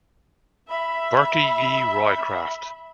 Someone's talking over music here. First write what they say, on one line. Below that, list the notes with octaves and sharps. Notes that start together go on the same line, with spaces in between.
Bertie E. Roycraft.
E5 B5